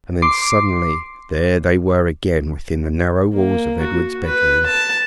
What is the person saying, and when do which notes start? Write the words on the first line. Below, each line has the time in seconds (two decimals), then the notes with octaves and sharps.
And then suddenly there they were again within the narrow walls of Edred's bedroom.
0.22 C6 D6 C7
3.33 A#3
3.81 F#4
4.25 B4
4.66 A5